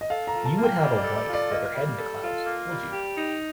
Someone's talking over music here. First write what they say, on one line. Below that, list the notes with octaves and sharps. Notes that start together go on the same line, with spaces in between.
You would have a wife with her head in the clouds, would you?
D#5
A4 F5
A#5
F4
A5
A#3
G5
G3 D#5
D5
A4
D5
F4
D5
A#3 D#5
G3
A4
F4
A#3
G3
G4
D#4